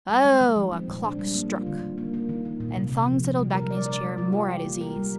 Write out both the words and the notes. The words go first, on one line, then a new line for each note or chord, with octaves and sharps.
"Oh, a clock struck!" and Thong settled back in his chair more at his ease.
G3
G#3
D#3
F3
C4
A#2
D4
G3
A#3
F4
D3
D#3
A#3
A#3
D#3
A#3
A#2
C3
C3
F3
F3
G3
A#4
D5
D5
G#3
F4
G4
G3
A#3
A#4
G3